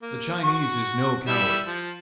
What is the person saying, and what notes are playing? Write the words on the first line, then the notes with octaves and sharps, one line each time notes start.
The Chinese is no coward.
A#3
F#4 C#6
G3 E4 E5
F3